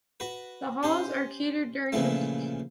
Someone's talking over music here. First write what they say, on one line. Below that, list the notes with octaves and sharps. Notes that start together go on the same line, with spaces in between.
The halls are catered during the week.
F#4 B4
C#4 G4 C5
A#2 C#3 E3 F3 A3